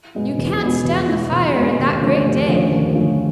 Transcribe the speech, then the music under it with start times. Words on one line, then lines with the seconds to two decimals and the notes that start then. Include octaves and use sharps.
"You can't stand the fire In that great day!"
0.15 B2 G#3 B3
0.38 E2
0.61 B2 G#3 B3
0.85 E2
1.08 B2 G#3 B3
1.32 E2
1.54 B2 G#3 B3
1.79 D#2
2.01 D3 F3 A3 C#4
2.25 D#2
2.48 D3 F3 A3 C#4
2.71 D#2
2.94 D3 F3 A3 C#4